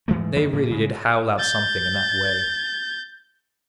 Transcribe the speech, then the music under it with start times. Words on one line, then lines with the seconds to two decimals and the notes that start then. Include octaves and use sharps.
They really did howl out something in that way.
0.08 G#2 E3 G#3 A3
0.35 F#2 D#3 A#3
0.53 A2 F3 A#3
0.70 C#3 G#3
1.39 G6 A6